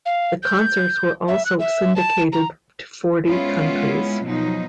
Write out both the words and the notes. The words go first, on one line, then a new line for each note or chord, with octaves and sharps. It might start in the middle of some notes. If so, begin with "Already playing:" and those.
The concerts were also syndicated to forty countries.
F5
G6
E5
F#6
E5
A5
A#5
G#3 B3 C#4 E4 F4
B2 F3 F#3 D#4